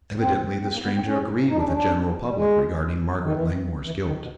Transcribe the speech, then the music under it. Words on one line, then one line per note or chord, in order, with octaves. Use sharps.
Evidently the stranger agreed with the general public regarding Margaret Langmore's guilt.
C4
C4
A#3
B3
C4
C#4
D#4
D4
C#4
D4
G3
G#3
D#3
E3
D#3
E3
D#3
B2